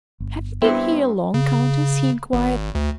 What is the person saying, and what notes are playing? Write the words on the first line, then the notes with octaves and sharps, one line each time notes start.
"Have you been here long, Countess?" he inquired.
G1
G2 B3 C4 E4
C#3
G#1
D2